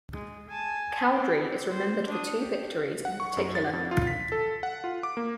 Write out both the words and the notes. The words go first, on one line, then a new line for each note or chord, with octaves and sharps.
Cowdrey is remembered for two victories in particular.
G#3
G#5 A5
C4 D6
C5
D4 D#6
G4
F#5
C#6
F#2
A6
F2
F4
B6
A4
F#5
F4
D6
A#3